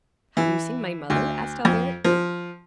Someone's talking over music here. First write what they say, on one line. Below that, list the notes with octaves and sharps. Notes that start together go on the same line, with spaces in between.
"Have you seen my mother?" asked Albert.
E3
D2
F2
F3